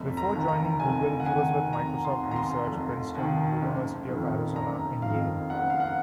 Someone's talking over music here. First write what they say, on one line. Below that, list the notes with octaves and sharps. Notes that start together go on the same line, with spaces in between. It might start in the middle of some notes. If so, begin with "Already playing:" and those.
Before joining Google, he was with Microsoft Research, Princeton, University of Arizona, and Yale.
Already playing: F1
A#5
D#2 D#3
A#5
F1 G#5
F#5
D#2 D#3 G#5
F1 A#5
C6
D#2 D#3
A#5
C6
F1
D#2 D#3
F#1
F2 D#3
F#1 A#5
F2 D#3 F5
F#1 F#5
F5
F#5